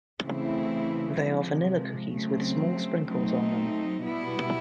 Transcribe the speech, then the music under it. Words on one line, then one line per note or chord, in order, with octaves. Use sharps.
They are vanilla cookies with small sprinkles on them.
C#3 E3 A3 C4 E4
C3 F3 G#3
C#3 F#3 A3 C4
F#3 A3 C4 D#4
B2 G3 B3 E4